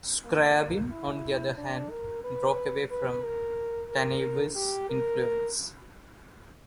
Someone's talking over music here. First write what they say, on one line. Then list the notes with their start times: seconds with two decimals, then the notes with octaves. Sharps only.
Scriabin, on the other hand, broke away from Taneyev's influence.
0.24 A#3
0.91 E4
1.58 D4
1.90 A#4
2.24 B4
2.91 B4
3.24 A#4
3.89 A#4
4.55 G4
4.90 A#4